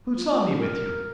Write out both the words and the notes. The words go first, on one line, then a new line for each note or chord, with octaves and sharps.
Who saw me with you?
F4
F4
G4
A#4